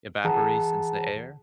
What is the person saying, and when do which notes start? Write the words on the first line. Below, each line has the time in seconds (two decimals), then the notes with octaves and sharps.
evaporates into the air.
0.25 E3 G#4 F#5 A5 A#5